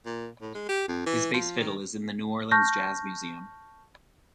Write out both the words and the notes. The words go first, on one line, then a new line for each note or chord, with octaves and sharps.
His bass fiddle is in the New Orleans Jazz Museum.
A#2
A2
G#3
G4
F2
E3
F3
D#3
A5 C#6 F6 G6 A#6